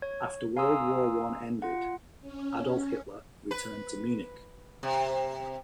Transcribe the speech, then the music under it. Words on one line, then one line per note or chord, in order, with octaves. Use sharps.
After World War One ended, Adolf Hitler returned to Munich.
C#5 G#6
F5 G#5 A#5 C6 D#6 E6
F4 F#5
C#4
B4
C3